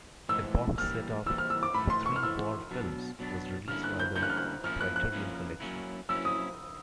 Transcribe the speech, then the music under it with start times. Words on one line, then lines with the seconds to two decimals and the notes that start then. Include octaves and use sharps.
A box set of the Three War Films was released by The Criterion Collection.
0.29 A2 E3 G#3 E6
0.78 E3 G3 A#3 F6
1.26 E3 G3 A#3 E6
1.38 F6
1.50 E6
1.63 D6
1.74 A2 E3 A3 B5
1.90 C6
2.06 C#6
2.16 F6
2.23 A2 E3 A3 E6
2.71 B2 F#3 B3 D4
3.19 B2 F#3 B3 D4
3.68 D3 G3 A#3 C#4 E4 F6
3.84 F#6
3.99 G6
4.15 D3 G3 A#3 C#4 E4 G6
4.23 F#6
4.30 F6
4.37 F#6
4.64 F3 A#3 C#4 E4 F6
4.81 F#6
4.96 F#6
5.13 F3 A#3 C#4 E4
5.60 F#3 A#3 C#4 E4
6.09 F#3 A#3 C#4 E4 E6
6.25 D#6